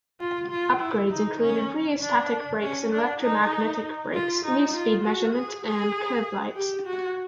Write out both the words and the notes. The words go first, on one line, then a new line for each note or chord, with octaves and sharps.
Upgrades included rheostatic brakes and electromagnetic brakes, new speed measurement and curve lights.
F4
F4
E4
D#4
C#4
D4
C#4
D4
D#4
F4
D#4
F4
F#4
G#4
G#4
G4
F#4